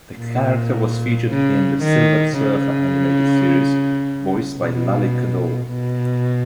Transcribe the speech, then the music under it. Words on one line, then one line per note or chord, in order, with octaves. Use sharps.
The character was featured in the "Silver Surfer" animated series, voiced by Lally Cadeau.
A#2
C#3
D#3
C#3
B2
B2